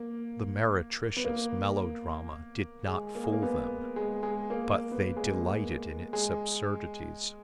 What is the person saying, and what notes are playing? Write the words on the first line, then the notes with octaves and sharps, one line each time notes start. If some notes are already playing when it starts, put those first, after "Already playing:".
The meretricious melodrama did not fool them, but they delighted in its absurdities.
Already playing: A#3
B3
A#3
G#3
A#3
G#3
A#3
B3
G#3
G#3
A#3
B3
A#3
G#3
A#3
G#3